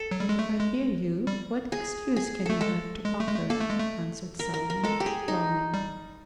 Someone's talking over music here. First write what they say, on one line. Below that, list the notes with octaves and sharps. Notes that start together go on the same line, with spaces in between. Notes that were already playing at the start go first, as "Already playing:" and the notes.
"And if I hear you, what excuse can you have to offer?" answered Solomon, frowning.
Already playing: A4
F#3
G3
G#3
A3
G#3
G3
G#4
G#4
A3 A4
G#3 A4
G#3
A3
G#3
A3
A#3 A4
A3
G#3
A3
A#4
A#4
A#4
G#3 A4
G4
G#4
D#4
G3